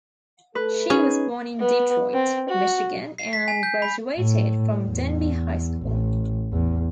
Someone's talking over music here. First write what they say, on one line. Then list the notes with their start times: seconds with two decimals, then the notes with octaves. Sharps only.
She was born in Detroit, Michigan and graduated from Denby High School.
0.55 A3 A4 B4
0.90 C#4 D#4 G#4
1.59 B3
2.13 C4
2.49 F#4
3.18 C7
3.33 B6
3.48 G#5
3.63 G6
3.82 B5
4.18 A2
4.86 E2
5.83 A1
6.52 E2